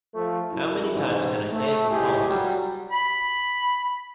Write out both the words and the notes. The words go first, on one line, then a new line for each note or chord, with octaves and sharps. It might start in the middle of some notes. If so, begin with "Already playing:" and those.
How many times I can say it with calmness?
F3 A3
F#2 E4
A1 G#2
A3
C#2 G#2 E4 G4 G#4
F#3 G3
B5